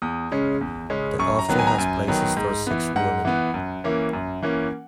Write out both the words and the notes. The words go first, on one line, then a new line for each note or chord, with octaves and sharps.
The hofje has places for six women.
E2 D#6
C#3 G#3 C#4
E2
C#3 G#3 C#4
F#2 C#6
A#5
D#3 F#3 B3
G#5
A#5
F#2 G#5
D#3 F#3 B3
G#2
E3 B3
G#2 F#5
E3 B3
F#2
E3 A#3 C#4
F#2
E3 A#3 C#4